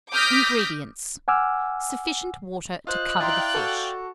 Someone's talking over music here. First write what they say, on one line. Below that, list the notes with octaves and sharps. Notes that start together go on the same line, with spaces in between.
INGREDIENTS.--Sufficient water to cover the fish.
D6 D#6 F6 G6 A#6 B6
F#5 G#5 D6 E6 F6
F4 C5 D#5 F#6
E4 D5 F5 G5 A#5 C6
F#4 A4